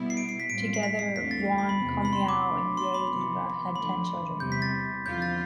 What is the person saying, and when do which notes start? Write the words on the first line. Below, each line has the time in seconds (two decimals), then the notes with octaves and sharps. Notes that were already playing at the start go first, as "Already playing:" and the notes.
Together Won Cumyow and Ye Eva had ten children.
Already playing: B2 G3 B3 E4
0.10 C7
0.17 D7
0.29 C7
0.40 B6
0.50 A2 G3 C4 F4 D7
0.74 C7
0.83 B6
0.99 C7
1.15 E2 D3 A3 C4 F4 B6
1.31 A6
1.58 B5
1.69 B5
1.80 E2 C3 E3 B3
2.05 B5
2.13 C6
2.29 D6
2.46 B2 A3 D4
2.77 C6
2.94 B5
3.11 C3 E3 B3
3.76 D3 F3 A3 B5
4.40 E2 C3 G3 G6
4.52 B6
4.62 A6
5.06 E2 D3 F3 C4 F4 G6
5.22 A6